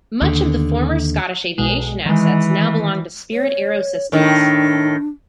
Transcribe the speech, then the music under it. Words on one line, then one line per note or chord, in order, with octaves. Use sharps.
Much of the former Scottish Aviation assets now belong to Spirit AeroSystems.
D#2 D3
B1 B2 G#3
D#3 E3 G#3
C#5
A2 D#3 D4